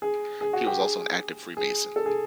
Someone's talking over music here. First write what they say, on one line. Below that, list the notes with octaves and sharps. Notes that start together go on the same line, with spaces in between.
He was also an active Freemason.
G#4
G#4
F#4
G4
G#4
G#4
A4
G#4